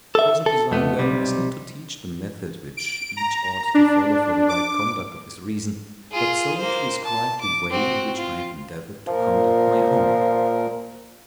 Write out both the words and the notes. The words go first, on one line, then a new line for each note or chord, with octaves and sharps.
My present design, then, is not to teach the method which each ought to follow for the right conduct of his reason, but solely to describe the way in which I have endeavored to conduct my own.
A4 E5
A4
F2 A3 B3
B1 C3 G3
D7
A#5
D4
D6
F4 G#4
A#3 C5
A5
D6
C4 F#4
F4
A#2 F3 A#4